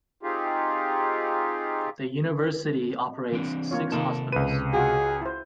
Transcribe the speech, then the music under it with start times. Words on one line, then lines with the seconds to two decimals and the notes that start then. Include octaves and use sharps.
The university operates six hospitals.
0.23 C4 D#4 F4 G4 G#4
3.32 E3 C4 D4
3.71 A#3 F4 C#5
3.92 C3 D#3 A#3 D#4 A4 A5
4.33 C#2 B4 D#7
4.73 F4 F#4 G#4
5.22 E4 C5